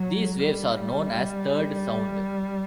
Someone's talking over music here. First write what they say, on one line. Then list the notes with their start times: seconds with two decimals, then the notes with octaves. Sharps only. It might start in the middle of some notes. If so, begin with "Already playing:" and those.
These waves are known as third sound.
Already playing: F#3
0.42 G3